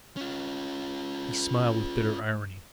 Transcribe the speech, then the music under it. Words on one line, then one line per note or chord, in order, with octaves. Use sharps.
He smiled with bitter irony.
C#4 F4